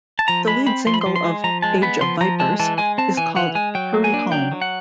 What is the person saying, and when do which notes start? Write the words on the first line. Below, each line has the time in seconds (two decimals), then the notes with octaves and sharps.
The lead single of "Age Of Vipers" is called "Hurry Home".
0.19 A5
0.28 F3 A#5
0.47 G#3 B5
0.66 C4 B5
0.86 F3 C6
0.94 B5
1.01 C6
1.06 F3
1.16 C6
1.24 G#3
1.44 F3 A#5
1.62 G#3 A5
1.82 B3 B5
2.01 F3 C6
2.21 F3 A#5
2.40 G#3 A5
2.60 E3 A5
2.78 G#3 G#5
2.98 C4 A5
3.17 E3 G#5
3.36 E3 F#5
3.55 G#3 G#5
3.75 F#3 G5
3.94 A#3
4.04 G#5
4.14 D4
4.32 F#3 G5
4.52 F#3
4.62 F#5